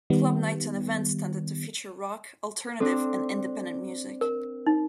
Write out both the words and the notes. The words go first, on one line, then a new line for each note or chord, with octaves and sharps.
Club nights and events tended to feature rock, alternative and independent music.
D#3 G3 B3
C4 D4 A4
A#4
D#4